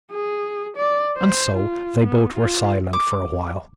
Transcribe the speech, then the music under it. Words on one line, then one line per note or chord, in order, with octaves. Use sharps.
And so they both were silent for a while.
G#4
D5
C5
F4
B3
F4
D6